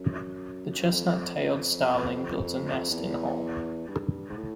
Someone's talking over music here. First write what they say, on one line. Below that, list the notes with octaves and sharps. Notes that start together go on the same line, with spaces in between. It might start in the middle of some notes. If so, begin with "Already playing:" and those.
The chestnut-tailed starling builds a nest in hole.
Already playing: F#2
F2
E2
G2
G#2
A2